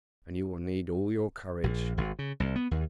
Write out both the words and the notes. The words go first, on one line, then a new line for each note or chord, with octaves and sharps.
And you will need all your courage.
A#1
G#1
C#3
C2
B3
D#2